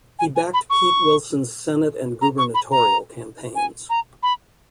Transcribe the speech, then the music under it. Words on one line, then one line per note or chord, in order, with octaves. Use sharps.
He backed Pete Wilson's Senate and gubernatorial campaigns.
G#5
G#5
B5
C#6
A#5
C#6
B5
A#5
G#5
A#5
B5